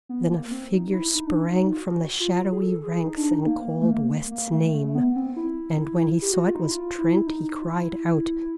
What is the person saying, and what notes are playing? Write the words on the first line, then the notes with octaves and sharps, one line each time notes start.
Then a figure sprang from the shadowy ranks and called West's name, and when he saw it was Trent he cried out.
B3
A#3
C4
D#4
E4
D#4
D4
D#4
F4
F#4
F4
G#4
A4
G#4
D#4
D4
D#4
A#3
A3
A#3
A#3
A#3
A3
A3
B3
C4
E4
G4
F#4
F4
D#4
E4
F4
E4
D#4
F4
E4